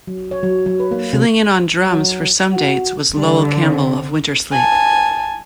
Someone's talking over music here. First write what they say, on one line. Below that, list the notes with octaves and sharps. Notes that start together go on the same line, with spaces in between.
Filling in on drums for some dates was Loel Campbell of Wintersleep.
F#3
C#5
F#3
F#3
B4
A#3
C3
F#3
F#4
D3 G3
C4
G#5 A5